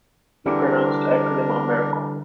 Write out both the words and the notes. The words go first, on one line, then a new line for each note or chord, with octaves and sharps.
He pronounced the acronym, a miracle.
D3 E3 G3 D4 A#4